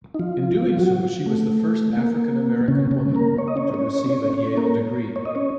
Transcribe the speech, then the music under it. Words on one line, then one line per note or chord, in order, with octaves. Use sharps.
In doing so, she was the first African-American woman to receive a Yale degree.
D#4
F3 F4
F3 F4
F4
F#3 F#4
A3
A#3
C#3 C#4
C#3 C#4
A#3 A#4
C#5
D#5
C#4 C#5
C#4 C#5
C#4 C#5
C#4 C#5
A#3 A#4
C#5
D#5
C#4 C#5